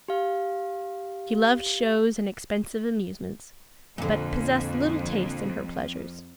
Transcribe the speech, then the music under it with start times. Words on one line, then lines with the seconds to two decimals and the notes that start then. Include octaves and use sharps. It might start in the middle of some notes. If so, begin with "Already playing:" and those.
She loved shows and expensive amusements, but possessed little taste in her pleasures.
0.08 G4 F5
3.98 F2 A#2 D3